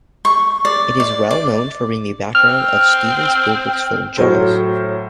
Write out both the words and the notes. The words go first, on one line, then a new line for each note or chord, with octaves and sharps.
It is well known for being the background of Steven Spielberg's film "Jaws".
C#6
D5
D5
D5
C4 F6
A2 F#3 C5